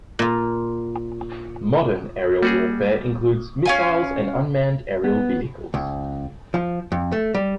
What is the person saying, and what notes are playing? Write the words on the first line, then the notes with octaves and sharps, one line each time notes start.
Modern aerial warfare includes missiles and unmanned aerial vehicles.
A#2 F4
G3 A#3 F#4 G#4
C#4 F5 G#5
B3
C#2
F3
F2
A3
G3